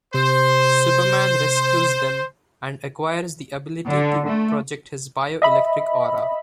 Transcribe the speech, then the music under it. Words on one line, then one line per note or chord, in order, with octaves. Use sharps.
Superman rescues them, and acquires the ability to project his bio-electric aura.
C3 C5
D3
A3
D#5 E5 B5